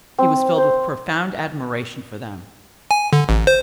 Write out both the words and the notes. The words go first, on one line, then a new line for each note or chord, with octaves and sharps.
He was filled with profound admiration for them.
C4
C5
G#5
D3
A1
C5